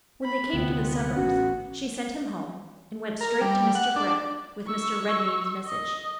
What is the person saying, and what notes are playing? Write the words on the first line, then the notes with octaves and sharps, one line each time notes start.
When they came to the suburbs, she sent him home, and went straight to Mr. Brett with Mr. Redmain's message.
B5
D2 C3 B3 C4
A1 C#4 F#4
A#4
G3
F#5
D4
C#6 E6
D#5